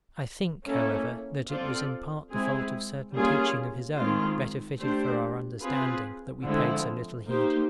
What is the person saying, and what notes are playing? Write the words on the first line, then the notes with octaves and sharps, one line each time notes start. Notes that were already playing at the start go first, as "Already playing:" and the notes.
I think, however, that it was in part the fault of certain teaching of his own, better fitted for our understanding, that we paid so little heed.
A#3 C#4 E4 A4
C4 F4 A4 D5
G#3 C4 E4 G#4
G3 A#3 C#4 F4 G#4
D#3 G#3 C4 F4
A3 D4 G4 C5
C4 F4 G#4 B4
D3 F3 G#3 C4 E4
A#3 D#4 G4 C5